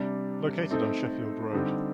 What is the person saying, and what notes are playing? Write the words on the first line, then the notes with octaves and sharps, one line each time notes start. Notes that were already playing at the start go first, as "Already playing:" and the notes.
Located on Sheffield Road.
Already playing: C3 G3 D4
A3 C4 D#4 A4
D3 G3 C4 D#4 G4